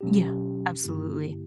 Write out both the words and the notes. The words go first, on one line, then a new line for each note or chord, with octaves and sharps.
Yeah. Absolutely.
B2 F#3 C#4 G4
G2 D3 A#3 E4 G4